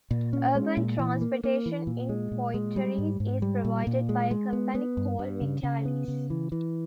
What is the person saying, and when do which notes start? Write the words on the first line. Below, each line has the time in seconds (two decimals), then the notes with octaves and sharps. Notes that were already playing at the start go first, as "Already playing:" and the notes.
Urban transportation in Poitiers is provided by a company called Vitalis.
0.11 A#2
0.33 C#4
0.55 G#3
0.77 A#2
0.99 E3
1.21 A#3
1.44 A#3
1.66 E3
1.87 A#2
2.09 G#3
2.32 A#2
2.54 G#3
2.76 G3
2.98 G#2
3.20 G#2
3.42 G3
3.64 A#2
3.87 A#2
4.09 G#3
4.31 G#3
4.53 B3
4.75 B3
4.97 G2
5.19 G2
5.41 C#3
5.63 C#3
5.85 B3
6.08 C#3
6.30 E3
6.52 E3